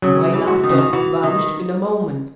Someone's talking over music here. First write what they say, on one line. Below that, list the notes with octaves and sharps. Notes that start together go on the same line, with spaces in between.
My laughter vanished in a moment.
C#3 F#3
E3
F#4
D#3
C#3
D#3
E3 F#4
D#3